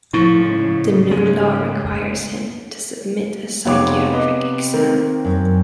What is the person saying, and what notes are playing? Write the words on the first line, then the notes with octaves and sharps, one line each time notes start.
The new law requires him to submit to a psychiatric exam.
A2 F3 E4 C#6
G#2 C#3
G#3
F1 C3 B3 F4 C#5 D6
B4 D#5 D6
D#3 A#3 C4
F#2